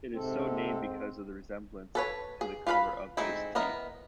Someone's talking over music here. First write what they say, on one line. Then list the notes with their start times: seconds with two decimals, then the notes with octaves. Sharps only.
It is so named because of the resemblance to the color of iced tea.
0.15 G#2 C3 C4 A4
1.95 A4 B4 C#5
2.41 G#4
2.67 F4 B4 F5 A5 B5
3.17 G#3 A3 C4 D#4 E4
3.55 B3 E4 A#4 D#5